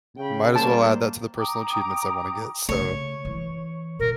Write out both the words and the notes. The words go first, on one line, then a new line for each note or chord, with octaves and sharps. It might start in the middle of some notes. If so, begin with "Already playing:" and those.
m might as well add that to the personal achievements I wanna get, so
C#3 G5 B5
G3 A#3 C5 A5
G5 A#5 D6 D#6
C#3 A3 C#5
E3
A#2 A#4